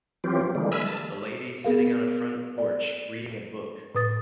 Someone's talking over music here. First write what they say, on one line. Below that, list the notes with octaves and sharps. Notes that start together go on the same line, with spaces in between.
A lady sitting on a front porch reading a book.
E3 F#3 C4 F4 G4
F3
D3 E3 G3 G#3 A#3
E5 G#5 B5 E6 F6
A5
B3 G#4 A#4 F5
D5
A2 B4 D#6 A6